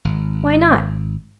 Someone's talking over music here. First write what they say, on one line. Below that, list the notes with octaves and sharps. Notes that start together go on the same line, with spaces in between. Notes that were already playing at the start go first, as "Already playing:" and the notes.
Why not?
G#1